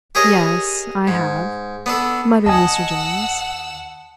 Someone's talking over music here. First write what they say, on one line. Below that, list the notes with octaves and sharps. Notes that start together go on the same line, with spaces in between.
"Yes, I have," muttered Mr. Jones.
G4 G#4 A#4 C#5 D#5
G#2
B3 D4 A4
D#2 D#5 F#5 G#5 A5 D#6 E6